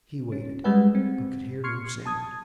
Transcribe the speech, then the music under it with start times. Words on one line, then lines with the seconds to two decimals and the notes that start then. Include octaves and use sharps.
He waited, but could hear no sound.
0.32 C#4
0.64 G3 G#3 G#4 B4 F#5
0.95 C4
1.64 C6 C#6 F6 G#6 C7 C#7
2.06 A5 D#6 G#6